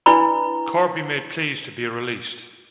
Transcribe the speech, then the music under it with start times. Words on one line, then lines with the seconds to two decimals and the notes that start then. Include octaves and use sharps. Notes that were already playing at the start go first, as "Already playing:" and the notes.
Corby made pleas to be released.
0.06 D4 E4 B4 D5 A#5 B5